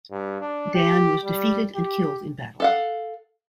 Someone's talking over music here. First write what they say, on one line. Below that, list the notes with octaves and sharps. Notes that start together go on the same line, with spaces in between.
Dan was defeated and killed in battle.
G2
D4
G4
G3
G4
A4 F5 F#5